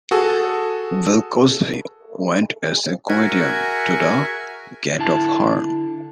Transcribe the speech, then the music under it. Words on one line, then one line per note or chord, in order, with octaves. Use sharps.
Bill Cosby went as a comedian to the "Gate of Horn".
F#4 G#4 A4
F#4 G#4 A#4 E5 F#5 G#5
D3 E4 A5